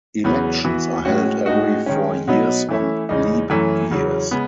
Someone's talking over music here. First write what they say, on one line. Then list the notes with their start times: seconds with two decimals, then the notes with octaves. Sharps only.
Elections are held every four years on leap years.
0.24 E2 C#3 F#3 B3
0.64 E3 B3 F#4
1.05 A2 G#3 C#4 F#4
1.46 A2 G#3 D#4 F#4
1.86 D#3 G#3 C#4
2.28 B2 F#3 B3 D#4
2.69 E3 A3 C#4 E4
3.09 E2 C#3 G#3 D#4
3.50 F#2 E3 A3 C#4
3.91 E2 C#3 F#3
4.31 C#3 G#3 B3